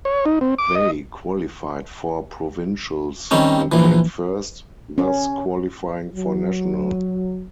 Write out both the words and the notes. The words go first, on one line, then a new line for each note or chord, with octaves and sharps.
They qualified for provincials and came first, thus qualifying for national.
C#5
D#4
C4
D6
D#5
D#3 G3 C4 C#4
A#1 E3
C#4
F#3